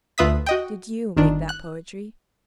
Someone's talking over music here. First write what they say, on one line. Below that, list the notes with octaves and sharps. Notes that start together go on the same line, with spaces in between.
"Did you make that poetry?"
D2 F4 B4 E5 D#6 B6
F#4 D#5 G5
G1 D#3 D4
F#6